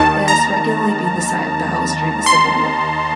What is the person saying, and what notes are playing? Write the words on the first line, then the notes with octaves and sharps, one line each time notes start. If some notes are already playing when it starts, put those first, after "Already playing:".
It has regularly been the site of battles during the civil war.
Already playing: D#2 D#3 A5
A#5
C6